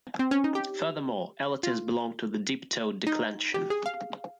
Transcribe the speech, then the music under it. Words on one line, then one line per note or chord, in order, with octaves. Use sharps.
Furthermore, elatives belong to the diptote declension.
C4
C#4
D#4
G4
F4
D#4
G4
G#4
F5